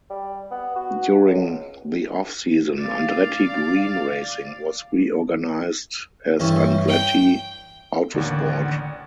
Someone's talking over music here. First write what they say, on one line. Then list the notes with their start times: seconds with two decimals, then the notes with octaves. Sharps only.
During the off-season Andretti Green Racing was reorganized as Andretti Autosport.
0.10 G3
0.51 B3
0.76 F#4
1.26 C#2
2.79 D5 F5
6.40 G2 E3 C#4
6.88 G5
8.14 A1 D#2 D3 D5 F#5